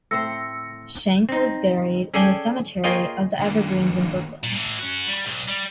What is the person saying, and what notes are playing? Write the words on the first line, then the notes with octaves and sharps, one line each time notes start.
Schenck was buried in The Cemetery of the Evergreens in Brooklyn.
A2 C4 C5 E6 A#6 C#7
C4 D#4
C#4 G#4 A4 D5 G5 G#5
A#3 F4 G#4 C#5 D#5 G5
D#3 A#3 D4 F4
A#2
A2 E3
C#4 F#4
G3
B1
G3